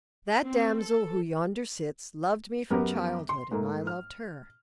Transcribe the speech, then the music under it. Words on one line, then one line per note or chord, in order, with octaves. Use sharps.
That damsel who yonder sits, loved me from childhood and I loved her.
C4
A4
F#2 B3 G4 A#4
C6
G#2 A3 A#3
F6